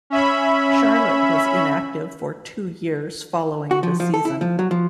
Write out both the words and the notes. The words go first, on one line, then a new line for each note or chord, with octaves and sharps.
Charlotte was inactive for two years following the season.
C#4 E5 B5
F#4
F3
F3
A4
E4
F3
F#3
F3